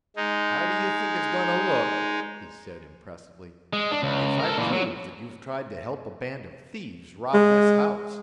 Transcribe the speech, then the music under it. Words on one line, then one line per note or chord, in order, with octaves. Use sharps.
"How do you think it is going to look," he said, impressively, "if I prove that you've tried to help a band of thieves rob this house?"
G#3 D#4
G#3
D4
C#2
A4 A#4
A#2 E3
F#3
G#3